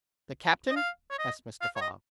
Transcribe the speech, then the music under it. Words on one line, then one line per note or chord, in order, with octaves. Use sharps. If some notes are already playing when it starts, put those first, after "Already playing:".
"The captain?" asked Mr. Fogg.
D#5
F5
C#5
D#5
F5
C#5
D#5